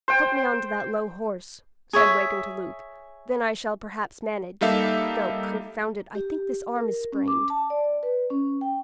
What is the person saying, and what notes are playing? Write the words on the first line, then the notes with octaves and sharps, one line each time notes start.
"Help me on to that low horse," said Wakem to Luke, "then I shall perhaps manage; though--confound it--I think this arm is sprained."
C5 G5
G#4 C#5 E5
G3 A#3 D#4 A4 E5 F5
G4
A#4
C#4
D6
A5
D5
B4
C#4
G5